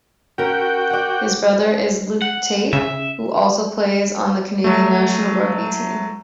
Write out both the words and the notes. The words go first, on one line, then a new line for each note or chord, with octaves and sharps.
His brother is Luke Tait, who also plays on the Canadian national rugby team.
C#4 F#4 A#4 G5
D5 F#5
F#5
C#3 E5
F#3 A3